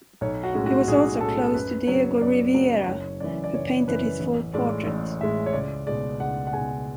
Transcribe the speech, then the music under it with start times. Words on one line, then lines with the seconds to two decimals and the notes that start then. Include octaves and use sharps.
He was also close to Diego Rivera who painted his full portrait.
0.21 B1 C#5
0.43 F#4
0.54 A2 G#3 C#4
0.66 F#4
0.87 B1 G#4
1.21 A2 G#3 C#4 A4
1.54 F#2 B4
1.87 C#3 F#3 B3 C#5
2.21 F#2 D5
2.54 C#3 F#3 B3
2.88 F#1 C#5
3.20 F#2 E3 D5
3.44 D5
3.54 F#1 C#5
3.87 F#2 E3 B4
4.20 A1
4.54 A2 G#3 D5
4.86 A1 D5
5.20 A2 G#3 E5
5.46 C#5
5.53 C#2 D5
5.87 B2 G#3 D5
6.20 C#2 F#5
6.47 F#5
6.53 B2 G#3 G#5